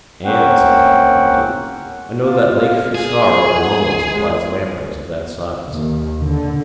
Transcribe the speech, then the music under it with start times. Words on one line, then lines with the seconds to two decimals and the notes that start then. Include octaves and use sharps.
"And," said Cavalcanti, "I know that Lake Fusaro alone supplies lampreys of that size."
0.25 A#3 C4 C#4 F#5 G5
2.23 F4
2.95 G#4 G#5
3.57 F#5
4.09 G#3
5.69 D#2
6.26 D3